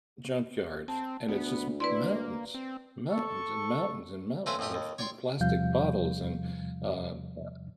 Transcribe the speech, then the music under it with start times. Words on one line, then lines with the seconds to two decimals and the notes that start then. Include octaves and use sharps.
junkyards, and it's just m mountains. Mountains and mountains and mountains of p plastic bottles and, um, uh uh,
0.88 C4 A5
1.28 D2 B3
1.80 E4 B4 D5 C6
2.03 A#3
2.55 C4
3.10 A4 C#6
4.46 A3 C4 C#4 B4 C5 F5
4.59 A1 F2 A3 G4 D#6
4.74 D#2
4.98 C#5 D5 G5 C6
5.40 E2 C3 F3 G3 F5 G6